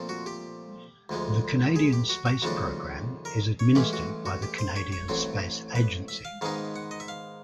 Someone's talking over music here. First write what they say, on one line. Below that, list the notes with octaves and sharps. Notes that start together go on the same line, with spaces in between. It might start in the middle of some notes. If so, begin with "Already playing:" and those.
The Canadian Space Program is administered by the Canadian Space Agency.
Already playing: A#2 F3 A3 C4
F#4
G4
D2 D3 F3 G#3
G#4
G4
F#4
F#4
D#2 C#3 F3 A3 D4 F#4
A#4
C#5
A1 A2 E3 G#3 C#4 G4
F#4
F#4
G4
C5
C#5
C#5
A1 A2 F#3 A3 C4
B4
E5
F5
G#2 D#3 G#3 B3 D#4 F5
F#5
D#5
E5
F5